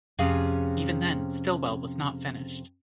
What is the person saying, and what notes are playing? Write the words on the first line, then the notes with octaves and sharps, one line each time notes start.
Even then Stilwell was not finished.
F2 C3 C#4 G#4 F5